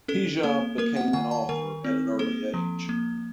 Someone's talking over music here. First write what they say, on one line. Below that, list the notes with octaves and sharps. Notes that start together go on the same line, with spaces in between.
Hijab became an author at an early age.
C#4 A4
A#3 A4
A#3 A#4
F#5
D#3 F#5
A5
D#3 A#4
C4
A#3 A4
F3
A#3